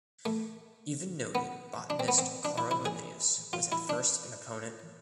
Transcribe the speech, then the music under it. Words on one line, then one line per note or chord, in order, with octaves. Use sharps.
Even noted botanist Carl Linnaeus was at first an opponent.
A3
B3
D4
C4
B3
C4
D4
E4
E4
G#4
F4
E4
D4